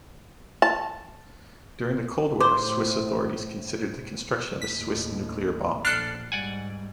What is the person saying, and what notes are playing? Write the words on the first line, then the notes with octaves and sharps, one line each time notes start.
During the Cold War, Swiss authorities considered the construction of a Swiss nuclear bomb.
A5
A2 C5 D6
D#2 A2 B6
A#1 D4 A4 F6 F#6 C7
G#2 G3 D5 F#5 G#5